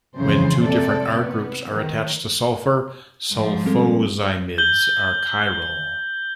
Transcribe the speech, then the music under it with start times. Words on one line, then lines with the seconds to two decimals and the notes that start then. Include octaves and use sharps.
When two different R groups are attached to sulfur, sulfoximides are chiral.
0.18 F2 C#3 E3 C5
0.65 C3 A4 D5
1.15 B3
1.67 D#3
3.32 G#2 F3
3.65 G3 C4 A4
4.58 G6 F#7 G7